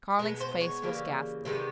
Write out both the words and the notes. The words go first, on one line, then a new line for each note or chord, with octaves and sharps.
Carling's face was ghastly.
B2 G#3 B3 A#4
C5
C#5
C#3 E3 G3 A#3
C3 D#3 G#3 B3